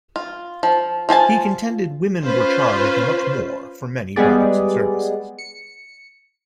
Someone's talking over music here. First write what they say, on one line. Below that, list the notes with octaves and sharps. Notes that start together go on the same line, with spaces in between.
He contended women were charged much more for many products and services.
F4
F3
F3 F4 G#5 A5
C#4 F4 B4 C5
G3 G#3 B3 G#4 D5
C#7